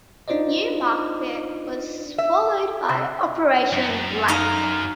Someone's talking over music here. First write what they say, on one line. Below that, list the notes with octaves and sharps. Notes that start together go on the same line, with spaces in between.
New Market was followed by Operation Lightning.
D4 D#4 F4 C5 D5 D#5
E5
C3
F#2
D#4 D#5 F5